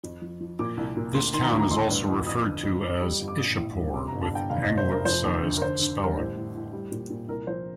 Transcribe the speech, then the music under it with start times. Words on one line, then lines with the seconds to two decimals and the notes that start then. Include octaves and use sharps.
This town is also referred to as Ishapore with anglicized spelling.
0.04 F2
0.22 F3
0.41 F3
0.59 A#2 D6
0.77 C2
0.97 A#2
1.14 D2 C6
1.33 D#3 C6
1.43 A#5
1.52 D2
1.59 A#5
1.71 A1 C6
1.89 G2
2.08 A1
2.26 F2 D#6
2.45 D3
2.63 F2
2.82 F2 D6
3.01 G3
3.19 G1
3.28 D6
3.38 A#1 D#6
3.57 A2
3.76 G3
3.94 C3 D6
4.08 A#5
4.12 G1
4.22 A5
4.31 G1 G5
4.50 F1 F5
4.64 F1 D#5
4.78 C5
4.87 F1
4.92 A#4
5.05 F3 C5
5.24 D#2
5.42 D3
5.57 A#4
5.62 D3 C5
5.79 D3
5.99 G3 A#4
6.17 A1 C5
6.36 A2
6.55 A2
6.73 G3
6.92 A#2
7.10 A#2
7.29 C2 A#4
7.47 F3 C5